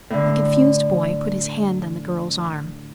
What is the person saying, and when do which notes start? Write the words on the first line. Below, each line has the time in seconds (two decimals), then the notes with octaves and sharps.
The confused boy put his hand on the girl's arm.
0.10 A2 D3